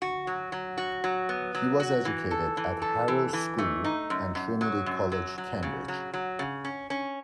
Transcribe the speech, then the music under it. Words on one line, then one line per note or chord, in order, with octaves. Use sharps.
He was educated at Harrow School and Trinity College, Cambridge.
F#4
F#3
F#3
F#4
F#3
B3
F#3
F#4
E3
A4
E3
A4
E3
E3
A3
D#4
F#2
F#2
F#3
F#2
F#3
F#3
C#3
F#3
F#3
C#3
C#4
C#4